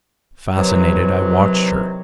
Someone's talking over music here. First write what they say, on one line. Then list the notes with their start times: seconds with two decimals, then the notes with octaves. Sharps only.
Fascinated, I watched her.
0.56 C3 D#3 E3 F#3